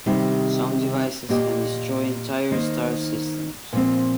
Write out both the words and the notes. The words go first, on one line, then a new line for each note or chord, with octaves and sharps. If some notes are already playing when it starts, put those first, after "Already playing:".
Some devices can destroy entire star systems.
C3 D#3 G3 D#4 G4
A#2 A#3 G4 D#5
D#3 A#3 D#4 C5
A#2 F3 C4